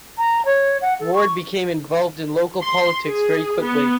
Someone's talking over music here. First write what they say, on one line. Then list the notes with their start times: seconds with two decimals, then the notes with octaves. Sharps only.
Ward became involved in local politics very quickly.
0.18 A#5
0.45 C#5
0.81 F#5
0.99 A4
1.14 C#6
2.62 C6
3.06 G#4
3.63 B3